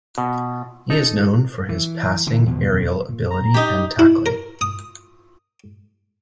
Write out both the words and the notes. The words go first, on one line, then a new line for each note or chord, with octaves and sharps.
He is known for his passing, aerial ability and tackling.
B2
D#4 A4
E3
D3 E3
E2 B2 D3 F3
A#2
A#5
D#4 G4
E4
A#4
D#6